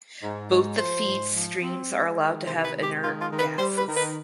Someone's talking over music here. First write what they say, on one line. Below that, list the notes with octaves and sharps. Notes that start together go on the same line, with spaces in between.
Both the feed streams are allowed to have inert gases.
G#2
G#2
F3 C5
G#2
F3
C4
G#3
D#3
C3 C5
B4
G#3
G4
D#3 F4
F4
D#3
B4
G3 C5
B4
D#3
B4